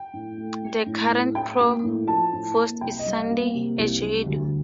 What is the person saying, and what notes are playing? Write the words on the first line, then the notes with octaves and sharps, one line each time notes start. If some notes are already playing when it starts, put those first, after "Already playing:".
The current provost is Sunday Eje Edo.
Already playing: G5
A2
A3
A3
A2
A2
A2 G5
A#3
A2
F3 A5
A2
A#3
C2 G5
D#5
G3
F5
A#3
C3
C2
G3
D2